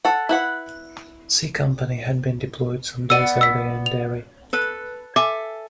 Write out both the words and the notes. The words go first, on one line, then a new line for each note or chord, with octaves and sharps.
C company had been deployed some days earlier in Derry.
A4 F#5
E4 B4 F#5
B3 D5 F#5 E6 D#7
E6 B6
F7
A4 B4
A4 E5 G#5 D6